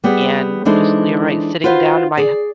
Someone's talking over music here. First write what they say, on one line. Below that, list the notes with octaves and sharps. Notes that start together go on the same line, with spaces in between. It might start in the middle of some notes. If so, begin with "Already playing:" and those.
And just you're right sitting down my
G3 B3 G4 G#4
E3 G#3 D4 D#4 A4 C5
F4 F#4 B4 C5 D5 F5
G#4 D5